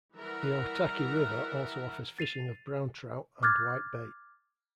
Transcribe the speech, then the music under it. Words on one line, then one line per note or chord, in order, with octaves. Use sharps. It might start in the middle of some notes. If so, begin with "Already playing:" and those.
The Otaki River also offers fishing of brown trout and white bait.
E3 G3 A#4 E5 F#5 A#5
A6 C7 D#7 F7
D6 F6 F#6 G#6 A6